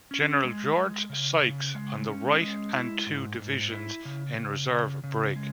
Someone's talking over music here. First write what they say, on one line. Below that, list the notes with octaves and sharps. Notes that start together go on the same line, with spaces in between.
General George Sykes on the right-and two divisions in reserve-Brig.
C#4
G#3
G#3
C#3
C#3
G#3
C#4
G#3
E4
G#2
G#2
E4
C#3
C#3
C#3
C#3
G#3